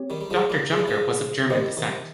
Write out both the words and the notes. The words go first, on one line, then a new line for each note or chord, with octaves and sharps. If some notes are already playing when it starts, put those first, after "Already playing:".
Doctor Junker was of German descent.
Already playing: C4 G4 C#5
D#3 G3
G3
F3 G#3
G3 A#3
G#3
G3
F3 G#3
D#3 G3 G4 C5 D#5
C3 D#3